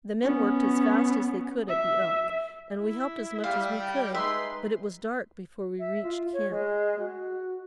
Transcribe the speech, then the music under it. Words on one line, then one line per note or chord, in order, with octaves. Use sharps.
The men worked as fast as they could at the elk, and we helped as much as we could, but it was dark before we reached camp.
B3 C#4
E5
E4 E5
G3 F5
G5
G#3 D#4 B4 E5 C6
E5
F4
C#5
G#3
F#4